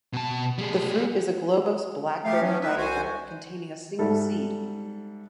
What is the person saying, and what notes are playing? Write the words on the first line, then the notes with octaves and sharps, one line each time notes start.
The fruit is a globose black berry diameter, containing a single seed.
B2 A5
G3 G#4
F3 A3 G4 F5
F3 F#3 B3 C#4
D#4 B4 E5
C2 F#4 C5 G#5
G#2 G3 A4 E5